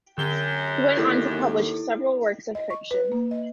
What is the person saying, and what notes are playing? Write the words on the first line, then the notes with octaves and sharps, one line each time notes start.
He went on to publish several works of fiction.
F#2 D3 G7
D#2 E4 A4
D#5
C#6
B4
A#3
D#5